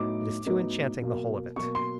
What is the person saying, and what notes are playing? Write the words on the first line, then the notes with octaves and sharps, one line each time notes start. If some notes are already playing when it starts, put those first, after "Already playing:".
It is too enchanting, the whole of it.
Already playing: A2 F#3 B3 D#4 D6
A2 F#3 B3 D#4
B2 F#3 A#3
B2 F#3 A#3 C#6
C6